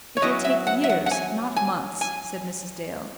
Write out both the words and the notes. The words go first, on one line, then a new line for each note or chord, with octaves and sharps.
"It will take years,--not months," said Mrs. Dale.
C#5
F#3 C#4 E4 D#5
E5
F#5
E5
F#5
F#5
G#5
G#5
G#5